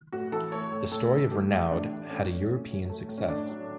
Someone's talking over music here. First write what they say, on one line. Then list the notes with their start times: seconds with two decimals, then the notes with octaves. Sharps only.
The story of Renaud had a European success.
0.12 A2 F#4
0.32 E3 A4
0.52 A3 C#5
0.72 A2
0.92 A2 A4
1.12 E3
1.31 A3 G4
1.51 A2
1.71 A2 D4
1.90 E3
2.10 A3 C#4
2.30 A2
2.50 A2
2.70 F#3
2.89 A3
3.09 A2
3.18 C#4
3.29 A2 D4
3.49 F#3